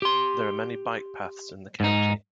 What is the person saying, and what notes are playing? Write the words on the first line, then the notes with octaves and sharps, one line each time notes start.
There are many bike paths in the county.
G4 C6
G#2 D#4